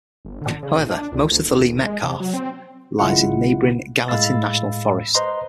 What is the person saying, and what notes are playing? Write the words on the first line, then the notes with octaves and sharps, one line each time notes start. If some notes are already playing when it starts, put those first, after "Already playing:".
However, most of the Lee Metcalf lies in neighboring Gallatin National Forest.
G1
D3
C#3
A#1
D4
C#2
D2
D#1
G#3
C3
F#3
C4
B1 C#3 G#3 E4 F4 F#5
A2 G#3 F5 B5 E6 A6
B4 C5 D#5 A#5 C6